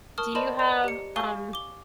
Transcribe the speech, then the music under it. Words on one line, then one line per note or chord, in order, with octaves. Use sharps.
Do you have, um,
A#4 A5 C#6 D#6 F6
C5 D5 D#5 A5 B5 C6
D5 D#5 A#5
G4 C#7
F5 G#5 C#6 G7
D6 G7